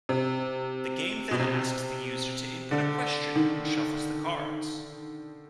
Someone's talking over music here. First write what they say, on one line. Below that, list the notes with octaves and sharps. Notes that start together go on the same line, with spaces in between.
The game then asks the user to input a question, and shuffles the cards.
C3
B2
C3
D3
D#3